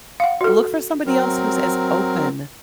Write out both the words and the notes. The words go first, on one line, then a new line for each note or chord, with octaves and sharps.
look for somebody else who's as open
F5 F#5
F#4 A4
F#3 C4 A#4